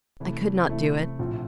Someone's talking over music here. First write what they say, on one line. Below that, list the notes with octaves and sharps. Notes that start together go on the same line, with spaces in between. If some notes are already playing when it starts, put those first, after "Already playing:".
I could not do it.
C3 E3 A3 E4
C3 E3 A3 E4
A#1 A2 F3 C4 F4